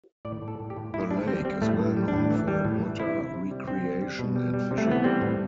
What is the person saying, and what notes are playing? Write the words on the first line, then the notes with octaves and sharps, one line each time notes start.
The lake is well known for water recreation and fishing.
A2 D5
A2
A4
A2
G4
A2
A2 E4
G3 D4
G3 C4
G3 C4
A2 A3
A2
G3
D4
A2
E3
G3
A2
E3
C3 E4
C3
C3
G3
G3 C4
G3
G3
B2
G3
G3
C3
A3
E3 B3
G3 C4
A2